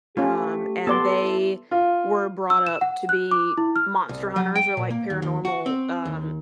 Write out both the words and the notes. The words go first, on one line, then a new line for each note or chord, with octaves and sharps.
um, and they were brought up to be monster hunters or like paranormal, um,
A3 C#4 F4 G4
B3 A4 D5 A5 C6
E4
F4
E6
E7
F#5
F#6
D6
E4
F6
C2
F#3
G5
A#2
A#3
D#2
D#2
F#4
C4
D#2